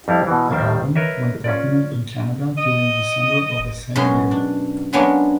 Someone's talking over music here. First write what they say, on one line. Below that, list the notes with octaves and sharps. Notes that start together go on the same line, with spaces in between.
The album went platinum in Canada during December of the same year.
F2 G3 E4 F5
B2 E3
D#2 D#3 G3 C5 G5
A#4 B4 C#5 D#5 E5
C#4 F4 D5
D#5
F#2 B2 G#3 C#4 C6
D4
F#3 G#3 A#3 B3 C#4 D4